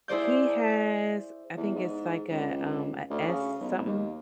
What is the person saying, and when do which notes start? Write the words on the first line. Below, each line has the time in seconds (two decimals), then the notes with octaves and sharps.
He has, I think it's like a, um, a S something.
0.08 E4 G#4 C5 D5 G6
1.57 E2
1.75 G#2
2.30 C#2
3.10 D2
3.28 C#3
3.60 B1
3.86 D#2